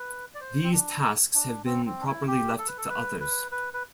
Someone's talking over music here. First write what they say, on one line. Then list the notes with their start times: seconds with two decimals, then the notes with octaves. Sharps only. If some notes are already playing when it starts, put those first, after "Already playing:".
These tasks have been properly left to others.
Already playing: B4
0.35 D5
0.41 C5
0.64 C4
0.72 D4
1.34 D4
1.65 C4
1.86 C4
2.01 D4
2.07 E4
2.27 G4
2.58 A4
2.68 B4
2.78 A4
2.89 B4
3.21 B4
3.52 B4
3.74 B4